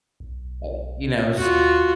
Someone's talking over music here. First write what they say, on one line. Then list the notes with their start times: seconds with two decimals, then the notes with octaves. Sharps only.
uh, you know s
0.20 B1
1.38 D#2 F4 F#4